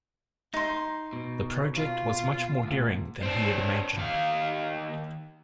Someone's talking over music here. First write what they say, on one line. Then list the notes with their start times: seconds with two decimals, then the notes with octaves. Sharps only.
The project was much more daring than he had imagined.
0.53 D#4 C6
1.13 B2
1.75 F4
2.63 D2 A#2
3.23 C4 D4
3.97 D#2 F5